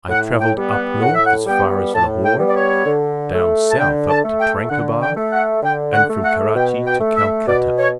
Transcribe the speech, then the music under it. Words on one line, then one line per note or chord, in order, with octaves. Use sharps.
I have travelled up north as far as Lahore, down south up to Tranquebar, and from Karachi to Calcutta.
A2 F#5
G5
G3 B3
F#5
A2 F#5
E5
F#5
G3 B3 G5
A2 A5
G5
G3 B3
D5
C#5
D3
A3
A5
D3 G5
A5
A3
G5
D3 F#5
G5
A3
F#5
D3 G5
F#5
A3
F#5
B2 G5
G5
A3
E5
B2 D5
C#5